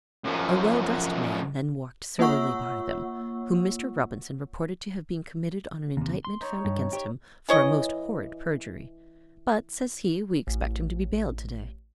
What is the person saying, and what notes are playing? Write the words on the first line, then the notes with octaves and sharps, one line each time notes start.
A well-drest man then walked surlily by them, whom Mr. Robinson reported to have been committed on an indictment found against him for a most horrid perjury; but, says he, we expect him to be bailed today.
F#2 F3
A#3 F4 C#5 F#5 C#6 E6
D#2 C3
C6
D#4 C#5
G2
G4 C5 C#5
E3 C#5 D#5
A1